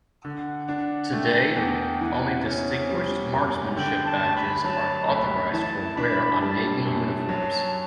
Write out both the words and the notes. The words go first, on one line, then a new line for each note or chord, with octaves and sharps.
Today, only Distinguished Marksmanship Badges are authorized for wear on Navy uniforms.
D3 F#5
D4
A3 G5
E2
E3 F#5
C#4
G3
F#2
D3 G5
A5
D2
B5
F#3 A5
D2 B5
E3 A5
D4 B5
G3 A5
F#2 A5
F#3